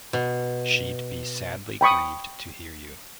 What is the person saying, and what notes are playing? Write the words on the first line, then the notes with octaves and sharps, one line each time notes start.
She’d be sadly grieved to hear you.
B2
G5 B5 C#6 D#6